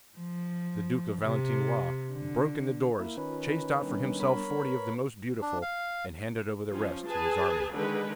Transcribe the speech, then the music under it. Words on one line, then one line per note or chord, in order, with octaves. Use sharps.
The Duke of Valentinois broke in the doors, chased out for himself forty of the most beautiful, and handed over the rest to his army.
F3
C3
D3
A#3 E4
D#3 C#4 F4 B4 B5
G3 B3 D4
A#4 C#5 B5
B4
D4
F5
F3 C#4
G#4 B4 G#5 A5
D3 D#3 G#3 B4